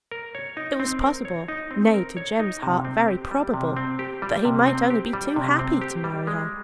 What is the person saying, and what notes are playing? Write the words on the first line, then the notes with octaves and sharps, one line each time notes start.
It was possible, nay, to Jem's heart, very probable, that he might only be too happy to marry her.
A#4
C#5
D#4
C4
A#4
C#5
D#4
C4
A#4
C#5
D#4
C3
C4
G4
G3
C3
C4
G4
G3
C3
C4
G4
G3
C3
C4
G4
G3
G#3